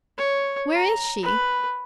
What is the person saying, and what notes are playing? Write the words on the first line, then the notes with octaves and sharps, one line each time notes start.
Where is she?...
C#5
A#5
B4